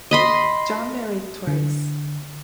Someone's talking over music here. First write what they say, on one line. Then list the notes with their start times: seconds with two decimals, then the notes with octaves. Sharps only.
John married twice.
0.11 D#5 B5 C6
1.47 D3